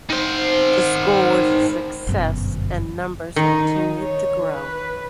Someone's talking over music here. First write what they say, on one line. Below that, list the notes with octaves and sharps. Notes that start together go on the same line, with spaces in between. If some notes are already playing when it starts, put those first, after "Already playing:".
The school was a success and numbers continued to grow.
D#3 C5
G1 F#2 B2
D#3 D#4
C#5
B4